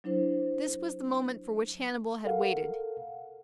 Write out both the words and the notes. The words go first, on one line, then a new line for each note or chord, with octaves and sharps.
This was the moment for which Hannibal had waited.
F#3 D4 E4 C5
A4 A#4 F5 F#5